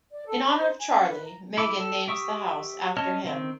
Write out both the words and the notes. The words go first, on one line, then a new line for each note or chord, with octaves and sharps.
In honor of Charlie, Meghan names the house after him.
D5
A4
B5
C5
G#5
C#4
B4
A#5
E4 D6
A4
G4 E5 C#6 D#6
C#4 C#5 D#5 A5 F6
D#3 C4